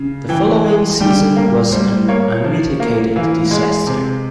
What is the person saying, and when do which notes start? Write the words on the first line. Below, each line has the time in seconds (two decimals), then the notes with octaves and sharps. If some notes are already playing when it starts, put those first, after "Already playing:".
The following season was an unmitigated disaster.
Already playing: C#3
0.29 E3 G5
0.64 G#3
1.00 G3 G5
1.36 A#3
1.72 G3 C5
2.08 A#3 C#5
2.44 F3
2.80 A#3
3.16 E3 F5
3.51 G#3
3.87 C3